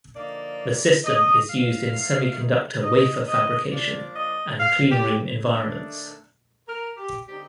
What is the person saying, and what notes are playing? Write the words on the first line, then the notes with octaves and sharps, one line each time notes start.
The system is used in semiconductor wafer fabrication and cleanroom environments.
D3 F3 A#3 D#4 D5
D#5
F5
D#3 A3 D#4
D#5
D#5
F3 A#3 D4 D5
D#5
F5
G4
D#3 A3 D4
A#4
G4
D3 G3 C4 D#4 G4